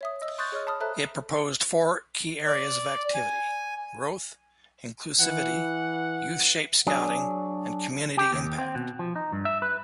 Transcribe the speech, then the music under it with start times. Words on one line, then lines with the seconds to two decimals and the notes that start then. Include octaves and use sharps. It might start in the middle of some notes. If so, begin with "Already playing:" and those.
It proposed four key areas of activity: Growth, Inclusivity, Youth-Shaped Scouting and Community Impact.
0.01 C#5 E5 D#6
0.22 D#5 E6
0.38 C6 C#6 D#6 F#6 G6 A6
0.52 G#4 C#5 D#5 F6
0.67 A5 B5 D#6 F6
0.80 A4 C5 E5 A5 A#5 F#6
2.47 D5
3.14 G#5
5.20 E3 F#5
6.87 F#3 D4 G#4
8.17 G4
8.33 D#2
8.58 C4
8.75 B2
8.99 F3
9.16 D#4
9.32 G2
9.45 E5
9.62 B4